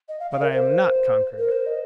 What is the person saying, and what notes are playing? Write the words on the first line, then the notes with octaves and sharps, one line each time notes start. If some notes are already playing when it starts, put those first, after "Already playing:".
But I am not conquered!
D#5
F5
F5
A#4
C5
A#4
C5
D#5